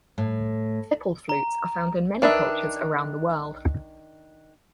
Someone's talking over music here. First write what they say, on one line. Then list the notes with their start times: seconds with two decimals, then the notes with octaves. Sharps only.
Fipple flutes are found in many cultures around the world.
0.18 A2
1.29 A#5
2.22 D#3 D4 B4 E5